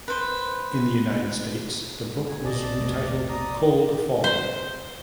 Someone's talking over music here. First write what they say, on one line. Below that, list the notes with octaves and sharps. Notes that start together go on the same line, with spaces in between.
In the United States, the book was retitled "Cold Fall".
B4 C5
G#5
A#1 D5 D#5 A5
E1 A#1 A3
D5 A#5 D#6
C5